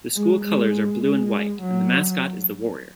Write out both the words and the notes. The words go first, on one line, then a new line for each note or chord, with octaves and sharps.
The school colors are blue and white, and the mascot is the Warrior.
G#3
G#3
G#3
F#3